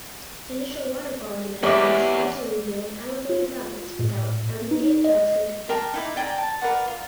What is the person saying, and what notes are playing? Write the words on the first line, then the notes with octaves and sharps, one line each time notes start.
Initial water quality measurements also revealed elevated levels without immediate toxic effects.
E2 G4 B4 C#5 D5 E5
F4
A2
D#4
D#5
A#4 G5 A5 D6
D#4 E4 D6
D5 G5 G#5 A#5
A5
A#4 B4 D5 F#5
F4